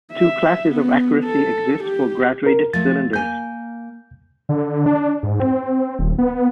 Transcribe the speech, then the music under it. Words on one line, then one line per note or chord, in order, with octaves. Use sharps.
Two classes of accuracy exist for graduated cylinders.
E5
B3
A4
G4
A#4
F3 A3 A6
A#3 G#5 G6
D3
D4
G#2
C4
D#1
B3